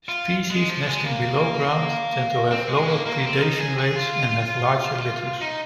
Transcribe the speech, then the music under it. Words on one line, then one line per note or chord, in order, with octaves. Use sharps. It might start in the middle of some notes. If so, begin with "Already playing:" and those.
Species nesting below ground tend to have lower predation rates and have larger litters.
F4
G#3
F3
G#3
A#3
C4
G#3
A#3
A#3
C4
F4
D#4
G#4
G#4
F4
D#4